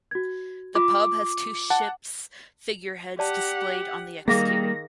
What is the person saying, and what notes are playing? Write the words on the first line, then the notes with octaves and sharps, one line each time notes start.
The pub has two ships figureheads displayed on the exterior.
F#4 G#6
F4 D6
F#5 A5
G4 D5 F#5 A5
D#3 G3 A#3 G#4 F5 D6 A#6